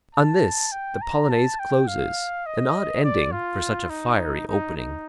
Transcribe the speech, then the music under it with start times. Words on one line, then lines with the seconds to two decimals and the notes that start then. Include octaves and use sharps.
On this the Polonaise closes, an odd ending for such a fiery opening.
0.15 A5
0.72 G5
1.02 A#5
1.30 A5
1.59 G5
1.88 F5
2.46 D#5
3.04 D5
3.32 F4
3.89 D#4
4.48 D#4
4.77 D#4